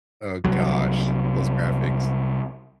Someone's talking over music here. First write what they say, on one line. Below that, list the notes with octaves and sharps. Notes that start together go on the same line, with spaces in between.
Oh gosh, those graphics.
C2 F#3